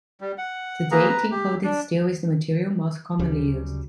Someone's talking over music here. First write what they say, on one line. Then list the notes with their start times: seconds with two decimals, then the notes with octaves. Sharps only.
Today, tin-coated steel is the material most commonly used.
0.21 G3
0.38 F#5
0.91 A#3 G#4 B4 A#5
1.09 B4 A#5
1.31 G4
1.64 D4
3.19 D2 C#3 F#3 G3